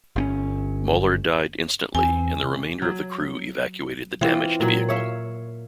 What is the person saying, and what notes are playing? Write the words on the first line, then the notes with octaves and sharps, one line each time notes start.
Moller died instantly and the remainder of the crew evacuated the damaged vehicle.
G1 C4 C#4
E2 C4 G#5
C3
F#3
E3 B3 C4 F4
A#2 F#3
C#5 E5 F5